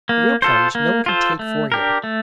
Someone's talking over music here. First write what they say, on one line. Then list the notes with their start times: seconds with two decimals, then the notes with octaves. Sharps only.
The real plunge no one can take for you.
0.09 A#3
0.42 F4 A4 C5
0.75 A#3
1.06 F4 A4 C5
1.39 A3
1.72 D4 G4 A#4
2.04 A3